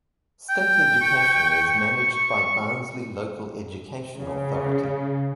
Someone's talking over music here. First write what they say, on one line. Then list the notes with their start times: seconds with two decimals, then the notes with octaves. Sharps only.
State education is managed by Barnsley Local Education Authority.
0.50 G5
1.02 C#6
4.17 C#3